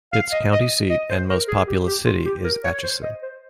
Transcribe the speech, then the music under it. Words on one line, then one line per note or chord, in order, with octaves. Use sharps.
Its county seat and most populous city is Atchison.
F5
D#5
D#5
D#5
C5
A#4
G#4
G4
G4
F4
G4
A#4
C#5
C5
D#5
C5